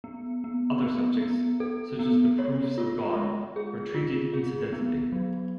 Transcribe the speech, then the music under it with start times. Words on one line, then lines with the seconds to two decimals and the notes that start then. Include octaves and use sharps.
Other subjects, such as the proofs of God, are treated incidentally.
0.04 B3
0.44 B3
0.83 B3
1.21 B3
1.60 A4
1.99 B3
2.39 C#5
2.78 F4
3.17 G#3
3.56 G#4
3.95 F4
4.33 G#4
4.73 B3
5.12 F#3